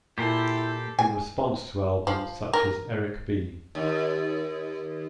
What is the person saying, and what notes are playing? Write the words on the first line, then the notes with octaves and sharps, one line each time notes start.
In response to albums such as Eric B.
A#2 E4 G4 A4 C5
G#5
F3
A#4
D#2